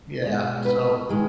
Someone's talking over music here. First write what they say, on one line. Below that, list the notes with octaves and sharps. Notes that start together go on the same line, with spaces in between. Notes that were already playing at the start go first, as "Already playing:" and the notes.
Yeah, so
B2 G#3
B4
D#3 G#3